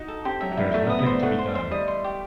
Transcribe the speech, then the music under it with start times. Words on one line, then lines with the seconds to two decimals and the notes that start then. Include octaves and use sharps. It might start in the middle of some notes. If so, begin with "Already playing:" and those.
There is nothing to be done.
Already playing: D#4 F#4
0.08 A4
0.25 C4 G4
0.41 F#3 E5
0.51 F#3
0.57 G3 E4
0.74 A3 E5
0.86 B3
0.90 D#6
0.99 B3
1.06 G3 C5
1.23 A3 F#5
1.39 C5
1.55 C5
1.71 G3 D#5
1.88 C6
2.04 G4